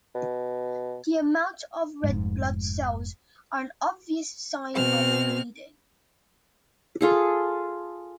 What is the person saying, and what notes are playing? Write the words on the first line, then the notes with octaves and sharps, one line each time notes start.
The amount of red blood cells are an obvious sign of bleeding.
B2
F1 G#2
B2 C4 F6
F4 G#4 A4